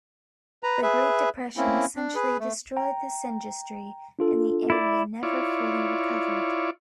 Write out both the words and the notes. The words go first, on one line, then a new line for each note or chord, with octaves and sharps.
The Great Depression essentially destroyed this industry and the area never fully recovered.
B4 A#5
G#4 B4 E5
A#3 C4 C#4 E4
D4
G#4 B4
A3
G5 A#5
D4 F4 A4
E4 D5
E4 F4 C#5 D5